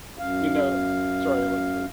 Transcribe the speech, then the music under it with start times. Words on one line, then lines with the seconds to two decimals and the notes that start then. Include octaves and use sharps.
you know, sorry, I wasn't like,
0.19 F#2 F5